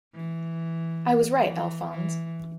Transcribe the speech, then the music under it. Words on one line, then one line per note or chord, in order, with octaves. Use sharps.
I was right, Alphonse.
E3
E3
E3